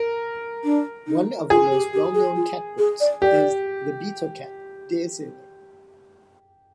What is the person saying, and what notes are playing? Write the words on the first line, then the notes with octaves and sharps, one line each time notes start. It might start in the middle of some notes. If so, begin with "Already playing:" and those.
One of the most well-known catboats is the Beetle Cat daysailer.
Already playing: A#4
D4
D#4
F4 G#4
G4
G4
G#4
F4
G#4
D5
G4 D5